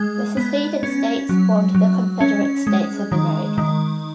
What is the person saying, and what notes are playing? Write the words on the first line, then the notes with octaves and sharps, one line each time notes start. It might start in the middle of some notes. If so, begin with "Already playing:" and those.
The seceded states formed the Confederate States of America.
Already playing: G#3
B3
C#4
F#3
F#3
C#4
G#3
D#3
D#3